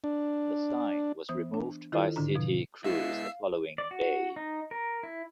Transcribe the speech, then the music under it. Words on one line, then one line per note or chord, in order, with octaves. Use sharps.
The sign was removed by city crews the following day.
D4
E3 B3 C5 D#6
D4
D#3 E4 F4 A4 C5
G#2 D3 D4 A#5
B2 F3
G#3 B3 E4 E5 F5 E6 C7
D5
F#4
D#4
A#4
E4